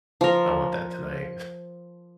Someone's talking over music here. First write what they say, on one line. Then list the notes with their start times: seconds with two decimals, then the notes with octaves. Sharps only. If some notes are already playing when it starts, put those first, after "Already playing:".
I want that tonight
0.21 F3 A#4